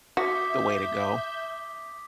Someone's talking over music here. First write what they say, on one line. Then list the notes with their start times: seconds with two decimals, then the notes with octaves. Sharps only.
the way to go,
0.17 F#4 E5 D6 D#6 G6 B6